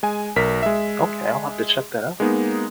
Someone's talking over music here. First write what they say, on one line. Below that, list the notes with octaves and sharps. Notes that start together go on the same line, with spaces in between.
Okay, I'll have to check that out.
G#3 G#5
B1 A#4 B6
G#3 E5
G#3 A#3 B3 D#4